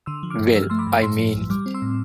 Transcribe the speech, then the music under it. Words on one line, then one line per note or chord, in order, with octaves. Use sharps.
Well, I mean!
D3 C6 E6
F3
D6 F6
G2
F3 E6
F6
A3 C6 E6
B5 D6
G2
A2 C6 E6
F3
B1
G3 D6 F6
C4
C6 E6
A2